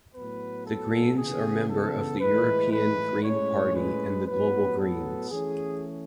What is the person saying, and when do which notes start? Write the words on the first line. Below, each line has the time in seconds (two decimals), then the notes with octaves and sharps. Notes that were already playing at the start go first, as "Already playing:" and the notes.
The Greens are member of the European Green Party and the Global Greens.
0.15 A2 F#3 B3 B4
0.67 A4
1.18 C#3 E3 B3 G#4
1.70 A4
2.21 A2 E3 G#3 B4
2.72 B4
3.24 A2 G#3 C#4 C#5
3.76 B4
4.27 A2 F#3 B3 B4
4.79 A4
5.30 E3 A3 C#4 G#4